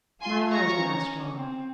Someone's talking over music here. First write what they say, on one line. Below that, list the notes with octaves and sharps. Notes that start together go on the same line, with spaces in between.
"My eyes are not strong."
F4 G#5 C6
A#5 C#6
C#4
C4